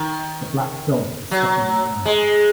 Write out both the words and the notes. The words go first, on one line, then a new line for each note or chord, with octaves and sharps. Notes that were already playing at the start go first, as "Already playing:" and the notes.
A black dog is stepping on the ice.
Already playing: D#3
F#3
G#3